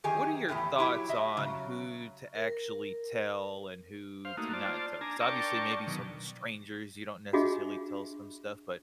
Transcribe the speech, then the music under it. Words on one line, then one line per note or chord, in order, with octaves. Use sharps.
what are your thoughts on who to actually tell and who to not tell? 'Cause, obviously, maybe some strangers you don't necessarily tell some stuff, but
F#2 D#3 G4 G#4 G#5
E2 A2 C3 E3 G4
F#3 E4 G4
D#5 E5
C#3 F#3
A#4
C5 F5
A3 A#3 D#4 F#4
F4 C5 D5 A5
D4 G#5 A#5
D4 A#4 D5 G5 A5 C#6
B2 D#3 F#3
D4 F4 F#4 G#4 D#5 E5